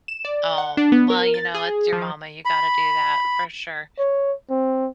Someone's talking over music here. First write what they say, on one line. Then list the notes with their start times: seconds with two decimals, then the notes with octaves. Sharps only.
Oh, well, you know, it's your mama, you gotta do that for sure.
0.08 E7
0.25 D5
0.58 F#5
0.77 D4
0.92 B3
1.10 A#4
1.34 A6
1.54 G#4
1.93 F3
2.45 B5
3.99 C#5
4.50 C4